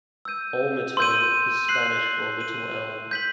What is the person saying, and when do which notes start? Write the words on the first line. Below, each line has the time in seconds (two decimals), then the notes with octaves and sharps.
"Olmito" is Spanish for "little elm".
0.25 E6 G6 D#7
0.97 C6 E6 G6 D#7
1.68 F#6 C7 F#7
2.40 G6 C7 D#7 F#7
3.11 G6 B6 F#7